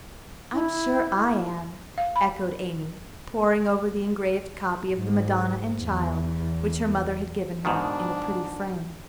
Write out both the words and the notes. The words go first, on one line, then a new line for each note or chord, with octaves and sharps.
"I'm sure I am," echoed Amy, poring over the engraved copy of the Madonna and Child, which her mother had given her in a pretty frame.
E4
F5
B5
G#2
E2
G#2 B2 D#3 D4